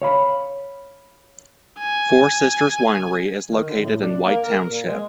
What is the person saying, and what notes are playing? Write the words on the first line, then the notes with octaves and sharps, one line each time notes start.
Four Sisters Winery is located in White Township.
C#5 F5 B5
G#5
D#3
D3
A2
D4
A#3
A#4
A#4
A#2
G#3